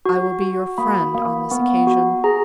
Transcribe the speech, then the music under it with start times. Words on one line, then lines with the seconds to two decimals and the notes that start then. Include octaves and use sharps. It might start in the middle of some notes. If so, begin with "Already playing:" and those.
I will be your friend on this occasion.
0.05 F#4
0.42 F#4
0.78 A#3 B5
1.14 A#3
1.51 B3
1.87 F#4
2.24 G#4 A#5